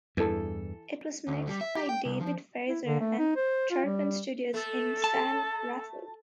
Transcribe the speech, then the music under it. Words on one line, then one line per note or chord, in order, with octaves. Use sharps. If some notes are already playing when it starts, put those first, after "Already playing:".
It was mixed by David Frazer at Tarpan Studios in San Rafael.
E2 G2 E3 A4
D2
G3
E5
G4
G5
C2
F3
E4
D3
A3
D#4
C5
F4
G3
A3 A4
A5